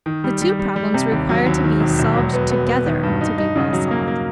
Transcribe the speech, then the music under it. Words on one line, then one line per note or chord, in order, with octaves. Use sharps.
The two problems require to be solved together, to be well solved.
D#3
G3
G3
G3
G3
C3
D#2
F#3
D#2
D#3
E1
E1
F#3
B3
B3
B3
D#3
G2
D#4
D#4
C#3
F#3
A#3
A#3